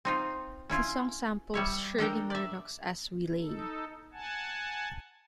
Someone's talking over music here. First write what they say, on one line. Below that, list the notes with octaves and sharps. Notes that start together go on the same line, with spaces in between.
The song samples Shirley Murdock's "As We Lay".
C4 D#4 F4
C#4 E4 F4
G3 C#5 E5
D4 A4 A#4 G5
D5 E5
D#4 A4
F#5 G#5 A5